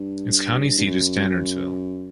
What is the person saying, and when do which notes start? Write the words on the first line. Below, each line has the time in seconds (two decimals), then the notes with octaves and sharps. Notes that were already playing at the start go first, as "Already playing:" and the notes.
Its county seat is Stanardsville.
Already playing: G2
0.78 G2
0.85 F#2